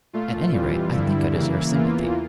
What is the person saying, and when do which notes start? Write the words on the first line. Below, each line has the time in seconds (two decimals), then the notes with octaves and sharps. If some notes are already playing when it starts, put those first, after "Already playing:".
At any rate I think I deserve sympathy.
0.13 A#2 A3 F4
0.53 F2 E3 G3
0.94 G2 D3 G3 E4
1.34 C#3 E3 A#3
1.74 E2 E3 A#3 F4